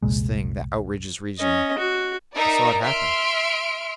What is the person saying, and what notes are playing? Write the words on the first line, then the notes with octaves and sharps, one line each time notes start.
This thing, that outrages reason--I saw it happen.
F1 C2 A#2 G#3
C#4 D#5
F#4
D#4 A#4 D5 E5 A#5
E5 C6 F6 D7